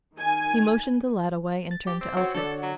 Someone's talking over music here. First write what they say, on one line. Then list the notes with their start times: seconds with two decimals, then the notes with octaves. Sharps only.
He motioned the lad away, and turned to Elphick.
0.18 D#3 G#5
1.71 A6
1.87 G4
2.01 C4
2.17 C4 F#4 C#5
2.35 D3 A4 D5
2.63 F#3